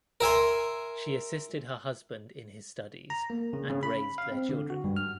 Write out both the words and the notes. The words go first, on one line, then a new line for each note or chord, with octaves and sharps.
She assisted her husband in his studies and raised their children.
A#4 E5 G#5 C6
A#5
A#3
C#3
C#3
B5
F5
C4
D3
F#4
G2
F6